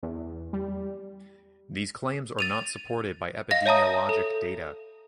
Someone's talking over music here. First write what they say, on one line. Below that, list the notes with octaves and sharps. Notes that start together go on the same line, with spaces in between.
These claims are not supported by epidemiologic data.
E2
G3
A6 D#7 F7
D#5 F5 A#6
C#5 E5 A5 A#5 D#6
A4